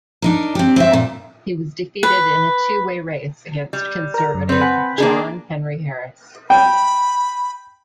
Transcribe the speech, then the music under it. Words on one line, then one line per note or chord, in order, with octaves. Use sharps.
He was defeated in a two-way race against Conservative John Henry Harris.
D4 D#4 A#4
C4 G4
C4 E4 F4 E5
A#2
B4
G3
A#4 A#5
F#2
C4 B4
F#5 G#5 B5
A#3 D4 G#4
G5 B5